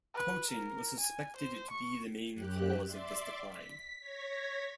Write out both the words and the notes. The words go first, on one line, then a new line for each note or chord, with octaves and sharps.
Poaching was suspected to be the main cause of this decline.
B4
A#4
G#5
C5
C#6
F#2 G4 F#6
D5 E5 C6 D6
B6
C#5 G#6 A#6 B6